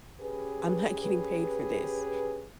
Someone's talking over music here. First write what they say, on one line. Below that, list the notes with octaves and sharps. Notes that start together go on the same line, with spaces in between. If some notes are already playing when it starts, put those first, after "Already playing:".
I'm not getting paid for this,
C#4 G4 G#4 B4